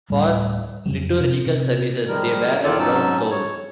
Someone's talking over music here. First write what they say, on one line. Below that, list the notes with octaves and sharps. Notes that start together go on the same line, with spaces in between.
For liturgical services, they wear a brown cowl.
D1 C#2 A2 G3
F2 C#3 F#3
C3
C3
D#3 F3 G3 G#3 A#4
E2 D#3 F4 A4 D5 A5
G#2 F#3 C#4 D#4 A5 E6
C#5